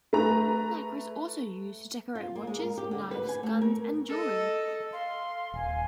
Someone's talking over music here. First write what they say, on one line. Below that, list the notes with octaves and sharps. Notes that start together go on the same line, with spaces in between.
Nacre is also used to decorate watches, knives, guns and jewellery.
A3 B4 A#5
F4
A#3
G#3
A#4
G4
D3
B4
G#5
A3
A#4
A4 D#5
F5 C6
D#1 F5 G#5